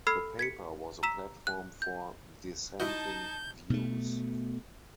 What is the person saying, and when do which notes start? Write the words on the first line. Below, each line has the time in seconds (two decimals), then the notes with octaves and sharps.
The paper was a platform for dissenting views.
0.07 A4 B5 E6 F6 G#6 C7
0.39 G#6 B6 C#7
1.03 A#5 E6 B6 E7
1.47 F#6
1.82 G6
2.80 D#4 E4 F#4 D#5 A5 G6
3.70 B2 A3